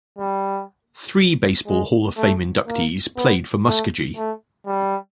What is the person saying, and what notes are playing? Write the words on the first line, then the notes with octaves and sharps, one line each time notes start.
Three Baseball Hall of Fame inductees played for Muskogee.
G3
G#3
A3
A#3
B3
A3
A3
G3